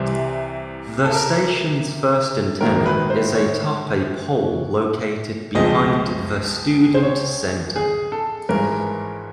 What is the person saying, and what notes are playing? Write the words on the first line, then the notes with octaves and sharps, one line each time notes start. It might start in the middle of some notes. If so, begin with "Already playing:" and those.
The station's first antenna is atop a pole located behind the Student Center.
Already playing: C2 C3 E3 G3 C4
A4
A#4
A#1 G#2 D#3 F#3 A#3 A#4
A#4
B4
C5
C#5
C#2 C#3 F3 A3 C4 D#5
C5
C#5
G#4
A4
G#1 G2 E3 G#3 A#4